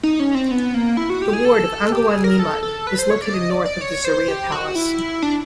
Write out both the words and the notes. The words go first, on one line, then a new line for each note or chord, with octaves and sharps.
The ward of Anguwan Liman is located north of the Zaria palace.
D#4
C#4
C4
B3
A#3
E4
F#4
G4
G#4
A4
G4
G#4
A#4
A4
A4
B4
C5
C#5
D5
D#5
D5
D5
C#5
C5
G4
F#4
E4
D4